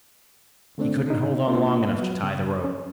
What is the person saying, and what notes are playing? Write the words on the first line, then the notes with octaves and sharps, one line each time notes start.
He couldn't hold on long enough to tie the rope....
D3 A3 C4 D4
D#4
A#3 D4 F4
F#3 B3
C#3
C#4